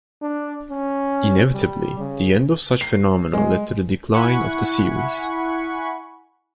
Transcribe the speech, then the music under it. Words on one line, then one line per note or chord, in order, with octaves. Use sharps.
Inevitably, the end of such phenomena led to the decline of the series.
D4
C#4
G3
C#3
C7
G#3
E4 F#5 G#5 B5 C#6